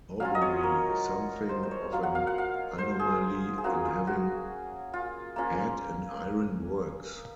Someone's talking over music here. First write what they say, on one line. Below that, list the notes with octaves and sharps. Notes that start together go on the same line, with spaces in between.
Horbury is something of an anomaly in having had an iron works.
F#3 C#4 F4 F5
D#5
C#5
A#4
C5
C5
C#5
F#3 A#3 F4 F5
F#5
F5
F#5
F5
C5
G#4
G#4
A#3 C#4 F4 F#4
F4
F#4
F4
A#3 C#4 F4